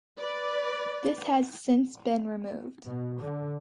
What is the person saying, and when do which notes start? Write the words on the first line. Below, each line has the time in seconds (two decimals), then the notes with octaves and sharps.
This has since been removed.
0.19 B4 D5
2.85 B2
3.21 D3